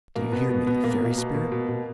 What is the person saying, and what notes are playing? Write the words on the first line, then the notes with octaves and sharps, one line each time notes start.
Do you hear me, you fairy spirit?
B2 A#3
B2 B3
B2 B3
B2 B3
B2 A#3
B2 A#3
B2
B2
B2
B2